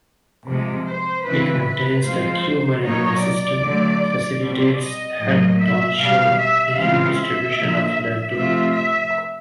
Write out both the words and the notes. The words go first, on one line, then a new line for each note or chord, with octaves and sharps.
It maintains the queue management system, facilitates head tonsure and distribution of laddu.
C3 F3 G#3
C5
C#3 E3 G#3 C4 E4 B4
B4
F3 G#3 C4 F4 C5
B2 F#3 A#3 D#4 C#5
D5
D3 F#3 A3
B2 G3 C4
D#5
A2 F#3 A#3
E5
B2 G3 B3 F5
E5
C#3 E3 G#3 C4 F4 F5
E5
D3 F3 A#3
C3 F3 A3 C4 F4 E5
E5